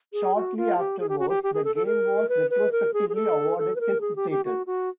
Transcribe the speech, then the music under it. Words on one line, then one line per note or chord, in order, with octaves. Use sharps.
Shortly afterwards the game was retrospectively awarded test status.
G#4
F#4
F4
G4
G#4
G4
F#4
G4
G4
G#4
A4
A4
A#4
B4
B4
A#4
G#4
G#4
A4
A4
B4
A#4
G#4
G4
G4
F#4
F#4